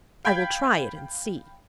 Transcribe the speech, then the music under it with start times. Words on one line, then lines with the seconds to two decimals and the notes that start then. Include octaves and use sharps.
"I will try it and see."
0.25 F5 G5 B5 G6 G#6 B6